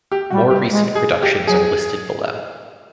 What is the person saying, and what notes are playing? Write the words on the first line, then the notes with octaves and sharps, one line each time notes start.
More recent productions are listed below.
G4
G3 F#4
G4
G#3
G#4
G4
F#3 G#4